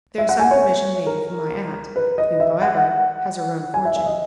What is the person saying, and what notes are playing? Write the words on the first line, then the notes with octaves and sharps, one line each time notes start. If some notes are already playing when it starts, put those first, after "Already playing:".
There is some provision made for my aunt, who, however, has her own fortune.
E5
F#5
G#5
C#5
A#4
B4
D#5
E5
F#5
G#5
E5
E5
D#5